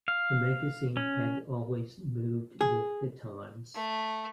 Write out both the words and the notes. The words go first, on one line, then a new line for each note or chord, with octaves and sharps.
The magazine had always moved with the times.
F5
C#4
G#4
A3